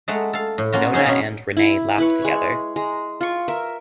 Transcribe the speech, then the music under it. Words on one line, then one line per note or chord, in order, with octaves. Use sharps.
Nona and Renee laugh together.
G#3 A3 F#5 A#5
A4 F5
A2
A#3 C#4 F4 F#4
C4 C#4 D#4 G#4
B2 C#4
E4
E4 B4 C#5
G#3 C#5
G#3 A#5
F4 C#6
A#4 E5